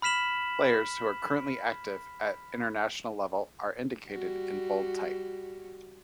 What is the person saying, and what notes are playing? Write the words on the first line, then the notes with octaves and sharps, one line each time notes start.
Players who are currently active at international level are indicated in bold type.
B5 F6 B6 E7 F#7
G3 F#4